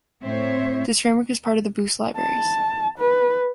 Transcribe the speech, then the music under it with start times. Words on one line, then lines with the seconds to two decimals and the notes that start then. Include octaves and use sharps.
This framework is part of the Boost libraries.
0.23 A2 C4 C5 C#5 E5
2.17 A5
2.98 B4